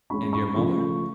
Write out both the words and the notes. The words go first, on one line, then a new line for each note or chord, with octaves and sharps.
"And your mother?"
E3 G#3 C#4 B5 C#6
B5 C#6
C#3 F3 A3